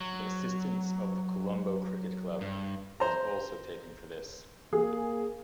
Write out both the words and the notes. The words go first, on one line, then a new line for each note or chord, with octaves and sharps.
The assistance of the Colombo Cricket Club was also taken for this.
F#3
G2
C5 A#5
A#3 G#4